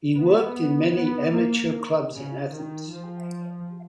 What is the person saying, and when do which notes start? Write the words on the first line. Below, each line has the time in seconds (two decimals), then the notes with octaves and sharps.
He worked in many amateur clubs in Athens.
0.15 B3
0.93 B3
1.33 A#3
2.13 C#3
2.51 D#3
2.91 F3